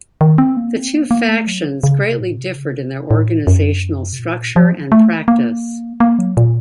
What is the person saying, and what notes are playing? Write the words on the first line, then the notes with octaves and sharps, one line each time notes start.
The two factions greatly differed in their organizational structure and practice.
D#3
C4
A#3
C4
A#3
A#3
A3
F#3
C#3
C3
A2
C3
C#3
C3
A2
F#2
C3
A#2
F3
A3
A#3
A#3
F#3
A#2